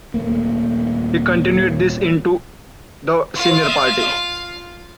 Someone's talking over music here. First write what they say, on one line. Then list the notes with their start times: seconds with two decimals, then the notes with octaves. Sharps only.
He continued this into the senior party.
0.14 D#1 A3 A#3
3.35 F4 F5